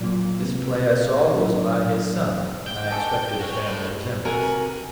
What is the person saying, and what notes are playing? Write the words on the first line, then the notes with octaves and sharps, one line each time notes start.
This play, I saw, was by his son, and I expected a family resemblance.
A#2 F#3 A#3 F4
C3 C4 B4
F#3 D4
G5
C#4 D4 A4
F#4 C#5
A2
C3 F#4 A#4 B4 G#5 A#5